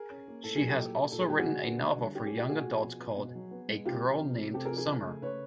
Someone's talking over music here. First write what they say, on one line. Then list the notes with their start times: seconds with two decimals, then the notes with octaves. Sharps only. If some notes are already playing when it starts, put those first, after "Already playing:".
She has also written a novel for young adults called "A Girl Named Summer".
Already playing: G#4 A#4
0.10 C#4
0.28 A#3
0.44 A2 A4
0.56 G#4
0.62 F#3
0.68 G4 A4
0.78 A#2
0.96 A#3
1.12 A#2 A4
1.21 G#4
1.29 G3 G4
1.37 F#4 G#4
1.46 D3
1.64 B3
1.80 D3
1.98 G3
2.15 C#4 G4
2.26 G#4
2.32 A3
2.37 F4 G4
2.49 A#2 F#4 G#4
2.66 F3
2.84 B2
3.00 B3
3.18 B2
3.35 F#3
3.51 B3
3.69 G#3
3.85 C3 F4 G4
4.03 F3
4.19 C3
4.37 A3
4.54 C3 G4 A4
4.65 G#4 A#4
4.71 F3
4.77 G#4 A#4
4.89 C#3
5.05 A3
5.22 C#3 B4 C#5